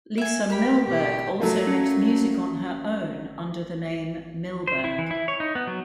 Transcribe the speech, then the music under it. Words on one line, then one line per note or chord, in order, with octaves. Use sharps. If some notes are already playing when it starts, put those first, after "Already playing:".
Lisa Milberg also makes music on her own, under the name Milberg.
E5 G#5
G4 A#4 B5
B2 G4
F#3 A3 A#3
C#4
C5
E4
E3
E4
C#5
D#4
B3
F#3